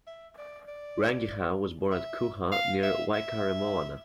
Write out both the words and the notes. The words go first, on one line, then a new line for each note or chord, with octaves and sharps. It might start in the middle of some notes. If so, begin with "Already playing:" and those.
Rangihau was born at Kuha near Waikaremoana.
E5
D5
D5
E5
F5
E5
E5